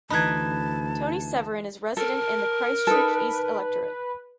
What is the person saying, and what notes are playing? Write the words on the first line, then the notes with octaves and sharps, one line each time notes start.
Toni Severin is resident in the Christchurch East electorate.
D2 E3 D#4 A5 B5 F#6 G#6
A4 A#4
D#4 A4 B4